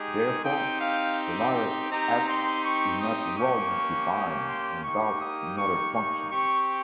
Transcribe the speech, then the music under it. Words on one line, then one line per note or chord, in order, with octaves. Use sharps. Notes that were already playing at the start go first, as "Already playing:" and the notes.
Therefore, the latter "f" is not well-defined and thus not a function.
Already playing: G#3 D#4 G4 G#4
C4 D#4 G4 G5
F5
C4 D#4 G4 A#5
C6
C#6
D#6
A#3 C#4 G4 C#6
C#6
C6
A#3 D#4 G4 C#6
D#6
C#6
C#6
C4 G4 C#6